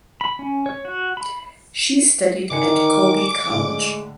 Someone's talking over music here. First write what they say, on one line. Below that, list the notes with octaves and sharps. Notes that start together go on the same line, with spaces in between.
She studied at Kobe College.
B5
C#4
C#5
F#4
B5
D3 D#3 G#5 D6 C#7
A2 D3 G#3